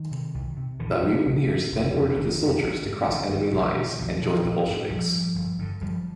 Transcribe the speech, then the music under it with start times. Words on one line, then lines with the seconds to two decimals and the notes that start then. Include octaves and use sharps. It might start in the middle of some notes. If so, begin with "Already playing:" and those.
The mutineers then ordered the soldiers to cross enemy lines and join the Bolsheviks.
Already playing: D#3
0.11 C3
0.34 C2
0.57 C3
0.80 A#1 D3 E3
1.04 A2
1.26 A#1
1.49 A2
1.72 F1
1.94 F2 C3
2.17 F1 D#3
2.40 F2 C3
2.63 A1
2.85 G#2
3.07 A1 D3
3.31 G#2 D#3
3.53 B1 D3 E3
3.76 B2
3.99 B1 D#3 F3
4.23 B2
4.45 A#1
4.68 G#2
4.90 A#1 F3 G3
5.13 G#2
5.35 G1
5.59 G2 D3
5.81 G1 F3 G3